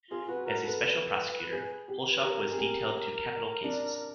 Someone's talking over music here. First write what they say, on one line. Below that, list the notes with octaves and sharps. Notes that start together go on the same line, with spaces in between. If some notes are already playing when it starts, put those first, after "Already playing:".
As a special prosecutor, Hulshof was detailed to capital cases.
F4 G#4
F#4 B4
F#4 A#4
A4 B4
G#4
G4
B4
G4 A#4
G#4
G4
D4